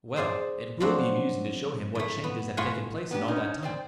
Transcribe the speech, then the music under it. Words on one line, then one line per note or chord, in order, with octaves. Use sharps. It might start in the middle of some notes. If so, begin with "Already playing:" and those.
Well, it will be amusing to show him what changes have taken place in all that time.
G#4 C5 D5 G#5
F3 F#3 C4 D4 F#4
A2 A3
B3
A2 A3 F4 F#5 G#5 C6
B3 D4 G4
C#4 D#4
C5 D5 G5